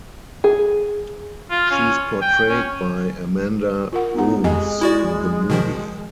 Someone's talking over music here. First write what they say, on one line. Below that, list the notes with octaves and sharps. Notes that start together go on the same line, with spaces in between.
She is portrayed by Amanda Ooms in the movie.
G#4
F4
C#4
G5
C#4
F4 A#4 F#5
B3 D#4 F#5
F2 G#3 G4 D#5 G#5
E4 F#4 D5
B2 D#3 F3